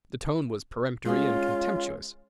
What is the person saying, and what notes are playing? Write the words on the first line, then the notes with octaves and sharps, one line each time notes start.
The tone was peremptory and contemptuous.
G#3 C#4 F4